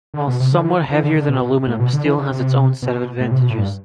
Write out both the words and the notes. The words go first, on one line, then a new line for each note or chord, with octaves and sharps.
Whilst somewhat heavier than aluminium, steel has its own set of advantages.
D3
B2
C3
D3
E3
E3
D3
D3
B2
B2
A2
B2
D3
E3
D3
C3
B2
A2
C3
B2
A2
G2